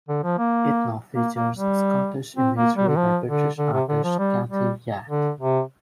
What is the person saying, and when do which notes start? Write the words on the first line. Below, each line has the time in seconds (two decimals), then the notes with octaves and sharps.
It now features Scottish imagery by British artist Kathy Wyatt.
0.08 D3
0.23 F3
0.38 A#3
1.15 A#3
1.35 A#3
1.55 G3
2.36 C4
2.56 A#3
2.77 G3
2.88 D3
2.97 F3
3.28 D3
3.58 D3
3.73 C3
3.89 D3
4.04 F3
4.18 G3
4.49 G3
5.09 D3
5.40 C3